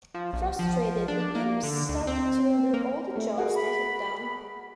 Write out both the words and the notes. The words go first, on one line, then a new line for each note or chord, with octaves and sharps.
Frustrated the imps started to undo all the jobs they had done.
F3
A#1
F3
D4
A#3
D3
D2
C4
A#3
A3
F#4 G#4 A#4
B5